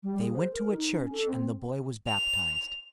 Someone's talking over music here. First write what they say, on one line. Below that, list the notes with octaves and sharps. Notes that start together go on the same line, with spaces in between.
They went to a church and the boy was baptized.
G3
G#4
C5
A#4
D#4
C#4
A4
C4
F7